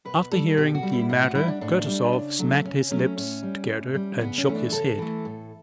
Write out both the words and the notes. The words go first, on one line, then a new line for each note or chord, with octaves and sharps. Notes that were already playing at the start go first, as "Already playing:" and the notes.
After hearing the matter, Kutuzov smacked his lips together and shook his head.
B2 B4
G3 A4
B2 G4
F#4
G3
E4
A2 E4
F#4
G3 E4
D4
A2 D4
G3
C#3
F#3 A3
C#3 C#4
F#3 A3 C#4
A2 C#4
G3
A2
G3
C#3 B3
C#4
E3 A3
D4
C#3 A4
E3 A3
A2